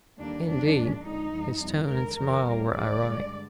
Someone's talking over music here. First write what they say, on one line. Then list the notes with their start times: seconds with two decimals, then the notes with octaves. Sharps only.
"Indeed." His tone and smile were ironic.
0.18 D#2 D3 G3 A#3 D4
0.46 F2 D#3 G3 A#3 D4
0.75 A#2 G#3
1.03 F2 D3 G#3 D#4
1.32 G2 F3 G#3
1.60 F2 C3 G3
1.88 D#2 D3 G#3 A#4
2.15 F2 C3 D#3 A#4
2.45 D2 C3 G3 A#3
2.72 D#2 D#3 G#3 D5
3.01 G2 D3 G#3